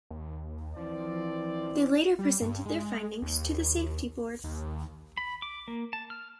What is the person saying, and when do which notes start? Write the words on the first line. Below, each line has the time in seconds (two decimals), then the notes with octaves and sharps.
They later presented their findings to the safety board.
0.10 D#2
0.76 E3 F3 C4 D5
2.19 G3
2.41 G2
2.66 G#3
3.22 D#2
4.44 D#2
5.17 B5
5.42 D6
5.68 A#3
5.93 A5
6.10 F6